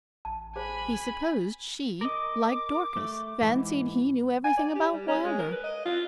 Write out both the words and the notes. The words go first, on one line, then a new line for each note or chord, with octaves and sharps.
He supposed she, like Dorcas, fancied he knew everything about Wylder.
A1 A5
G#4 C5 G#5 B5
A#4 D#5 D6
A3
G#2 E3
G#5
D5
G4
G3
C#4
G#3
A#4
B4
D#5
F4